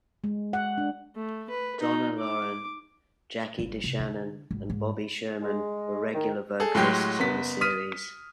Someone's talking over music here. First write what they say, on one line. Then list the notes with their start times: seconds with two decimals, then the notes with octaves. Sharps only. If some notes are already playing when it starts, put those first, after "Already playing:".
Donna Loren, Jackie DeShannon and Bobby Sherman were regular vocalists on the series.
0.24 G#3
0.53 F#5
0.78 D4
1.16 A3
1.50 B4
1.81 D#4
2.19 D6
3.59 G1
3.84 C2
3.99 D3
4.51 G#1
4.70 G#2
5.42 G#3
6.14 D#3
6.60 G#4 A4
6.75 A2 F#3 G#3 G4 C6 G6
7.19 F#1 B3 B6
7.61 D#6 F6 B6 D#7